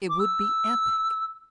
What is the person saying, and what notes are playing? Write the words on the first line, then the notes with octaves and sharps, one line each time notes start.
It would be epic.
D6
E6